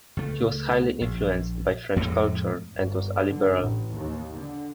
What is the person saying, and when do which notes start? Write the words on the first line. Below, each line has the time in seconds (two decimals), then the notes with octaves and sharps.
He was highly influenced by French culture and was a liberal.
0.17 C#2 A3
1.01 A#1
1.96 F2 A2 C3 G#3
2.75 G1
3.29 D3
3.61 A1
3.93 D#2
4.36 D3